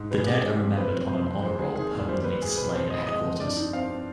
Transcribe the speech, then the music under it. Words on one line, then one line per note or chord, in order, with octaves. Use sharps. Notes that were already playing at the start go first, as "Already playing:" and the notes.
The dead are remembered on an Honor Roll permanently displayed at Headquarters.
Already playing: G#2
G3 B4
G#4
C3 G4
G#4
G3
F2
C4 B4
C4
C3 C5
F2
G#3 C5
G#3 G#4
D#3 G#4
D#2
G3 C5
B3 B4
G3 G#4
B2 B4
F2 C5
F2 D#5
G#3 D#5
F2
G2 D5
D#4
C4 F5
C4